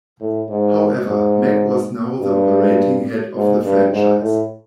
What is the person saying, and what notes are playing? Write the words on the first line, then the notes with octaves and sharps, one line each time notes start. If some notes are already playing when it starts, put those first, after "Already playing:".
However, Mack was now the operating head of the franchise.
A2
G#2
G#2
G2
G#2
G2
G#2
A2